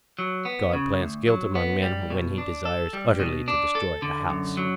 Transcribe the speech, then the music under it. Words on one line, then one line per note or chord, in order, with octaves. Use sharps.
'God plants guilt among men when he desires utterly to destroy a house.'
F#3
B3
C#3
D2
F#3
B3
G3
B2
D4
A4
G3
B2
D4
A4
D3
F#2
F#3